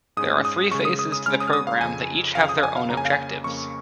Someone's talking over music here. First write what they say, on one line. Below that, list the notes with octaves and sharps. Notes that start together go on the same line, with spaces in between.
There are three phases to the program that each have their own objectives.
G#2 G#3 C#4 D#6
D#6
C#3 G#3 C#4 C#6
D#6
D#6
D#6
C#3 G#3 C#4 F6
D#6
F6
D#6
F5
F2 C#3 F3 G#5
F2 C#3 F3 F5
D#6
F5
G#5
F5
F2 C#3 A#3 C#4 A#5
G#5
F5
G#5
F2 C#3 A#3 C#4 C#6